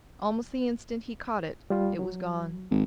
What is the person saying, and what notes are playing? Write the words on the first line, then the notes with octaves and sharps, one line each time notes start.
Almost the instant he caught it it was gone.
G3 F4
F#3
G#1